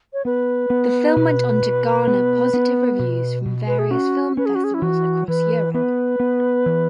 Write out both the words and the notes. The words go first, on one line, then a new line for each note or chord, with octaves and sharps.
The film went on to garner positive reviews from various film festivals across Europe.
C#5
B3 B4
B3
B2
B2
B3
B3
B2
B2
B4
G#4
C#4 F#4
C#4 B4
G#4
F#4
G#4
E4
E3 F#4
E3 B4
B3 B4
B3
E3